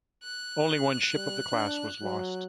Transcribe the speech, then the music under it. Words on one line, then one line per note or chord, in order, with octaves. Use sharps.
Only one ship of the class was lost.
F#6
G3
D4
F#3